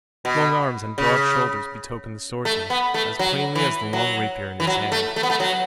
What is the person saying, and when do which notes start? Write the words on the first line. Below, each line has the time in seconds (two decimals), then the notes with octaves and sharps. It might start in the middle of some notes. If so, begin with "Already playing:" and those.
Long arms and broad shoulders betokened the swordsman, as plainly as the long rapier in his hand.
0.25 B2
0.98 C#3
2.45 A3
2.70 B3
2.94 A3
3.19 F#3
3.55 E3
3.93 F#3
4.60 E3
4.67 F#3
4.92 A3
5.16 A3
5.23 B3
5.30 A3
5.40 F#3